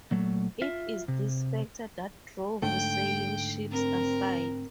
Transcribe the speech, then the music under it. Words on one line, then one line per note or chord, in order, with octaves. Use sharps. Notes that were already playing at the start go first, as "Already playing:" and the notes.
It is this factor that drove sailing ships aside.
A#2 F#3 A3
F4 E5
C3
G#2 D3 A3 G5
C4 A#4